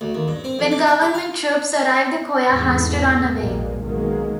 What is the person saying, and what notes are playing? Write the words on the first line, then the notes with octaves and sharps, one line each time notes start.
When government troops arrive the choir has to run away.
D2
D#2
G2
C4
F2
D6
E5
G4
F5
E2 G#2 C#3 A3 B3
A#1 B2 G3 G#3 A#3
B1 B2 D#3 G#3 A#3 B3